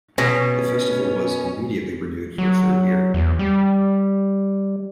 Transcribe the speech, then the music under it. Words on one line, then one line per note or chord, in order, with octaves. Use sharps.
The festival was immediately renewed for a third year.
B2 C#4
F#3
E2
G3